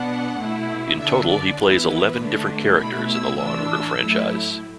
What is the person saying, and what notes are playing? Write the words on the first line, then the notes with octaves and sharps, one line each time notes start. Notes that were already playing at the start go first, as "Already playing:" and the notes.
In total, he plays eleven different characters in the "Law and Order" franchise.
Already playing: B2 B3 D4 F#5
B2 A3 E4
D3 B3 D4 E5
D5
E3 B3 E4 B4
D3 A3 D4
B2 A3 E4 B5
E6
A2 E3 D4 E6
A2 F#3 A3 E4